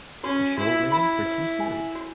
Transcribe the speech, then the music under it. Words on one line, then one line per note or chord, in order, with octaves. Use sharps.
The show ran for two series.
C#4 F#4
E4 F#4
E4 B5
B4
G#5
F#4